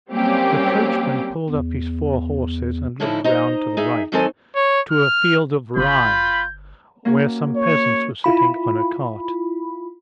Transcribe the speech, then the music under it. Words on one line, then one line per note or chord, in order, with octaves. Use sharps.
The coachman pulled up his four horses and looked round to the right, to a field of rye, where some peasants were sitting on a cart.
F#3 G3 A#3 C4 C#4 G4
E2
A2 D3 F3 C#4 D#4 E4
D#4 C5 D#5 A#5
D#4 G#4 E5
D#3 F#3 C4 D#4 A4 G#5
C#5
F6
G1 F4 B5 G6
A#3 C#4 F#4
C#5
E4 F4 B5